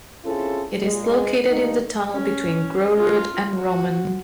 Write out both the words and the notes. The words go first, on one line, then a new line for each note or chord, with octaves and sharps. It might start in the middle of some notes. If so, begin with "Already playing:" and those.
It is located in the tunnel between Grorud and Rommen.
C4 C#4 E4 F4 G#4 A4
A#2 G#3
G2 D#3 G3 A3 A#3 D#4
C#4
F4
F#4